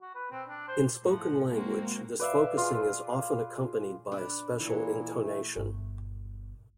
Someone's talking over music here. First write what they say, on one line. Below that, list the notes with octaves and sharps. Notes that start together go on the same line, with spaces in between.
In spoken language, this focusing is often accompanied by a special intonation.
F#4
B4
C4
D4
C5
A2 F3 F#5
G#3 A#3 C4 F#4
B4 D5 E5 F5
F4 G#4
D4 B4
A#2 E3 C#5
A3
G1